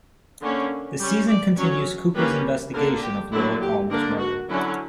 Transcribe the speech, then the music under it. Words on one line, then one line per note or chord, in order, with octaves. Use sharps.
The season continues Cooper's investigation of Laura Palmer's murder.
D3 A#3 C#4
G3 C#4
D5
F#3 C#4 C#5
G3 A#3 C#4 B4
D3 A#3 D4 A#4
G4
D3 F#3 A#3 E4
G4
D3 A#3 D4 A#4
F#4
D3 F#3 C#4 E4